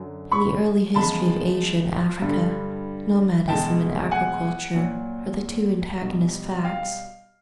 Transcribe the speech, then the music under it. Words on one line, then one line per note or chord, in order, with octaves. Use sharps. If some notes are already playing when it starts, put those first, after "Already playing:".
In the early history of Asia and Africa, Nomadism and Agriculture are the two antagonist facts.
Already playing: F#2 D3 F#3
B5 C#6
E2 C#3 F3 G#3 A5 B5
G2 D3 G3
E2 B2 G#3 G5 A5
F#5 G#5
A#2 F#3
B2 G3
F5 G5